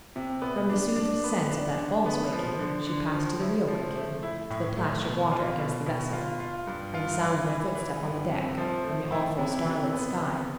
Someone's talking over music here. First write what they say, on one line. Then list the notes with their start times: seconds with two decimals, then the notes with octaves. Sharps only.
From the soothed sense of that false waking she passed to the real waking,--to the plash of water against the vessel, and the sound of a footstep on the deck, and the awful starlit sky.
0.16 C3
0.42 B3
0.70 D4
0.96 D4
1.24 B3
1.51 D4
1.78 D3
2.06 B3
2.33 F3
2.59 D3
2.87 D3
3.14 F3
3.41 E4
3.68 F3
3.96 A3
4.23 E4
4.50 A2
4.77 A3
5.04 B2
5.31 F4
5.58 B2
5.86 B2
6.13 F4
6.40 F4
6.67 G2
6.94 F4
7.22 E3
7.49 E3
7.75 E3
8.03 G2
8.30 C3
8.58 F3
8.84 A3
9.12 E4
9.38 C3
9.66 C3
9.93 B3
10.20 C3